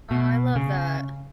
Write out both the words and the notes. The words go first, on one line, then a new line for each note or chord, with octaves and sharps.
Oh, I love that.
B2
C#3